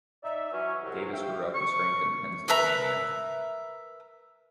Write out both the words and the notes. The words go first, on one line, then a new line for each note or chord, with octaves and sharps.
Davis grew up in Scranton, Pennsylvania.
D#4 D5 E5
E3 F#3 C#4
C2 F#3
E5 F5 G5
C#6
A#4 B4 E5 A#5